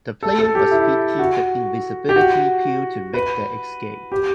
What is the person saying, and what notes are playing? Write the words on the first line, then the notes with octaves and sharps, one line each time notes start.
The player must feed him the invisibility pill to make their escape.
A4
A4
G4
E4
F#4
G4
F#4
B4
G4